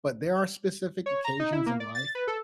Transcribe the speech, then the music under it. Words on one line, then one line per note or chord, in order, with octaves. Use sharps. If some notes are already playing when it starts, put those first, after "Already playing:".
but there are specific occasions in life
C#5
A#5
D#4
E4
A#3
D5
A6
B4
A4